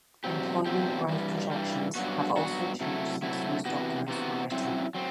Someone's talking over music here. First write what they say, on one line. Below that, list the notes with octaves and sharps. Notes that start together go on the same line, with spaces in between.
Employment growth projections have also changed since those documents were written.
E2 B2 F#3 C4 G4
E2 B2 F#3 C4 G4
G2 E3 G3
G2 E3 G3
G2 F#3 B3 F#4
G2 F#3 B3 F#4
C3 F#3 A3 E4
C3 F#3 A3 E4
C3 E3 B3 F#4
C3 E3 B3 F#4
F#2 F#3 C4 E4
F#3 C4